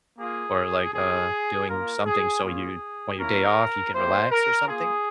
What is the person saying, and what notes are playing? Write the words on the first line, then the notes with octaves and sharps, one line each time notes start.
or like, uh, doing something so you on your day off you can relax or something,
A#3 F4 G#4
C4 G4 G#4
A#3 F4 A#4
G#4
A#3 C#4 F4 G#4
A#3 C#4 E4 A#4
A#3 E4 G4 C5
A#4
A#3 F4 G#4